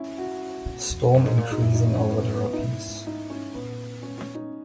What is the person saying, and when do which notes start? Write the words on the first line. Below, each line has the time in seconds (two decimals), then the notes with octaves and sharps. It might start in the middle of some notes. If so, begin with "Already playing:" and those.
Storm increasing over the Rockies.
Already playing: C#4 E4
0.18 F#4
0.66 B2
0.90 E2
1.14 F#2
1.26 G#2
1.38 A#2
1.50 G#2 D#4
1.62 F#2 E4
1.75 D#4
1.85 C#4
1.98 C#4
2.10 B3
2.34 B3
2.53 D#4
2.58 G#2 E4
3.07 D#4
3.30 C#4
3.54 A#2 B3
4.02 C#4
4.18 C#4
4.35 D#4